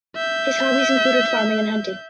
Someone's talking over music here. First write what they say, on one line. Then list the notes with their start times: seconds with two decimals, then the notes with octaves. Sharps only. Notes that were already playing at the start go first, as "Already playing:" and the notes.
His hobbies included farming and hunting.
0.16 E5 G6